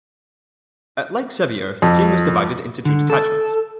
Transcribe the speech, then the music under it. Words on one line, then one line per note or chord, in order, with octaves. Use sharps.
At Lake Sevier, the team was divided into two detachments.
F2
D3
A4